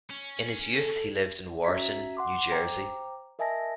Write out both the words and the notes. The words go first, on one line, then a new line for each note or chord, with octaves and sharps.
In his youth he lived in Wharton, New Jersey.
C#4
A4
C#4 F#4 E5 A#5 G#6 B6
F#5 C6 D6
C5 G5 A#5 D6
A#4 D#5 E5 G#5 A5 A#6